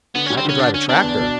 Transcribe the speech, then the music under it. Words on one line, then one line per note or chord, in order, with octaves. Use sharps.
"I can drive a tractor."
D3 B3
C#4
G3
C4
D3 C#4
D3 D4
D3 C#4
B3 D4
E2
B2